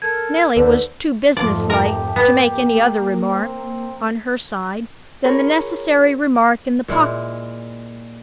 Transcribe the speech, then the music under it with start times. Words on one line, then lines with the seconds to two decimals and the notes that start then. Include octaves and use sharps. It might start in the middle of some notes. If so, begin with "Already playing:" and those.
Neelie was too business-like to make any other remark, on her side, than the necessary remark in the pocket-book.
0.02 A4 A#4 G#6
0.56 D#2 D3 D#3 B4 C5
1.37 F2 G#2 A3 F4 D5
1.70 G4 A#4
2.16 A#3 B3
3.26 C4
5.24 F4 G#4 A#4 C#5 B5
6.88 A#2 G#3 E4